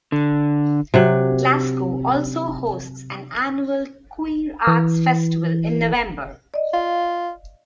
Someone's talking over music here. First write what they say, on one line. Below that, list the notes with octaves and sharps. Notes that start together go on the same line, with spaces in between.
Glasgow also hosts an annual queer arts festival in November.
D3
C3 F#3 F#5
E3
D5 D#5
F4 F5